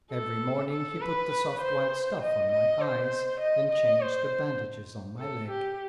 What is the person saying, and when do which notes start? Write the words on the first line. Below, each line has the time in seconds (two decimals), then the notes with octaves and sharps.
Every morning he put the soft white stuff on my eyes, and changed the bandages on my leg.
0.12 A4
0.72 A4
1.02 B4
1.61 C5
2.22 D#5
2.52 D#5
2.81 C5
3.41 D#5
3.72 D#5
4.01 C5
5.20 A4
5.51 G4